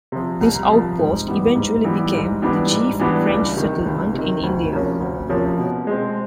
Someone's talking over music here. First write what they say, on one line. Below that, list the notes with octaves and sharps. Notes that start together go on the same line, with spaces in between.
This outpost eventually became the chief French settlement in India.
C3 F3
C2
C3 F3
G#2
E3 G3 B3
G#2
E3 G3 B3
G#2
E3 G3 B3 D4
G#2
E3 G3 B3 D4
C#2
C3 D#3
C#2
C3 D#3
D2
C3 F3 A#3 C#4
D2
C3 F3 A#3 C#4
B2
G#3 C4